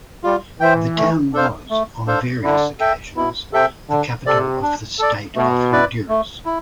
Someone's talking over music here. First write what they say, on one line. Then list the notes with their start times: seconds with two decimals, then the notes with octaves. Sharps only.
The town was on various occasions the capital of the State of Honduras.
0.24 G3 F4
0.60 E3 C5 E5 G5
0.97 A3
1.33 D4 A4 C5 F5
1.70 A3
2.06 D4 A4 C5 F5
2.43 D3 E4
2.80 A4 E5 G5
3.16 B2 E4
3.52 C3 A4 E5 G5
3.89 D3 D4
4.25 C3 A4 D5
4.62 D4
4.99 A4 D5
5.35 B2 A3
5.72 E4 B4 D5
6.08 A3
6.46 E4